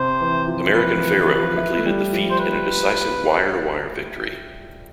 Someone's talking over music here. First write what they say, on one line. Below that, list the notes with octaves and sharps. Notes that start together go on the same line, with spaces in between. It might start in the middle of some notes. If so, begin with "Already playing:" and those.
American Pharoah completed the feat in a decisive wire to wire victory.
Already playing: C3 C5
E3
F3
F3 B4
F3
E3
E3
F3
E4
A3
G3
F3
C5
B4